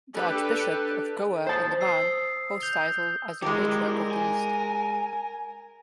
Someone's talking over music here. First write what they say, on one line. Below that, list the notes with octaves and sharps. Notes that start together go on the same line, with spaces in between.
The Archbishop of Goa and Daman holds title as the Patriarch of the East.
D4 G4 A4 B4
C5 A5
D#6 E6 C7
G6 F7 G7
G3 G#3 E4 G4 A#4
G#5